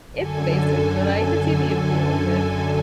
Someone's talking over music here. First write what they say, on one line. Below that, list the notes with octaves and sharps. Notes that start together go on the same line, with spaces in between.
It's basic, but I could see the appeal of it.
F#2 D3 A4 G#5